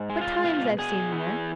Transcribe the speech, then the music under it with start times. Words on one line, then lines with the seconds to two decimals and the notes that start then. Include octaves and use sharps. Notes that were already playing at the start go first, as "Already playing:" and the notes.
'What times I've seen there!
Already playing: G#2
0.10 G#3
0.21 F4
0.44 B2 F4
0.78 B2 G#4
1.13 E3